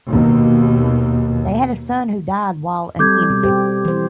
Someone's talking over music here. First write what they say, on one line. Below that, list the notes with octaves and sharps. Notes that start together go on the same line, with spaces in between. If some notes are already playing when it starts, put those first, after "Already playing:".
They had a son who died while an infant.
D#2 B2
G3 C4 A4 D6 G6 G#6
B2 G3
G4 C5
E3 C5